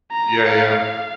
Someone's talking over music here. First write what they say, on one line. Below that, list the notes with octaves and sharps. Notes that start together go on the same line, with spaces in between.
Yeah, yeah.
A#5
F5